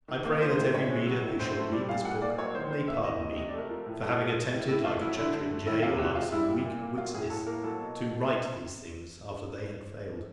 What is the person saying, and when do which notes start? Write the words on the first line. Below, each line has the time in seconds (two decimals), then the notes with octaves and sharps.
I pray that every reader who shall read this book, may pardon me, for having attempted, like a chattering jay, or like some weak witness, to write these things, after they had failed.
0.08 D#3
0.25 A#3
0.41 F3 C5
0.57 A2 C5
0.74 A2 C#5
0.90 G#3
1.06 F#3
1.23 A2
1.39 A2 C5
1.51 C5
1.57 A3
1.72 G3 D5
1.89 A#2 F5
2.05 A#2 F#5
2.22 A#3 D5
2.38 F#3 C#5
2.55 D#3 C5
2.71 D#3 C5
2.87 A#3 E5
3.04 E3 D#5
3.20 C3 D#5
3.37 C3 D#5
3.48 D5
3.53 A3
3.58 A#4
3.69 F3
3.86 A2
4.02 A2 A4
4.19 G#3
4.35 F3
4.52 A2
4.68 A2 E4
4.84 A3 F4
5.01 F#3 E4
5.17 D3 E4
5.34 D3
5.50 A3
5.66 D#3 E4
5.82 C3 F4
5.99 C3 F#4
6.15 G#3 F4
6.32 G3 E4
6.48 A#2
6.65 A#2
6.82 A#3
6.98 F#3 F4
7.14 A2 G#4
7.30 A2 A4
7.46 A#3 A#4
7.64 F#3 A4
7.80 B2
7.96 B2